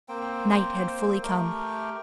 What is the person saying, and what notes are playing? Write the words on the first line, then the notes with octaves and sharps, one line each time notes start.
Night had fully come.
A#3 C4 C5 G5
A3 G4 A#4 G5